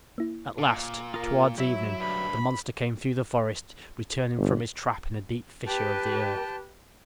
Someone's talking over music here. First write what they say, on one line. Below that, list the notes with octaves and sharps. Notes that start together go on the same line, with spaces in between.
At last, toward evening, the monster came through the forest, returning from his trap in a deep fissure of the earth.
A#3 E4
A#2
F4 A#4 D#6
F#3 E4 E5
D2 G2 B5
G1
G4 B4 G5 A5